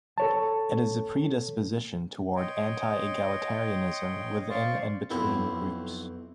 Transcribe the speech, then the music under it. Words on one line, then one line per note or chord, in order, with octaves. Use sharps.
It is a predisposition toward anti-egalitarianism within and between groups.
A4 C#5 A5
C#5 D#5 G5 C6
C5 D5 F5 C6 C#6
B1 F2 C4 E4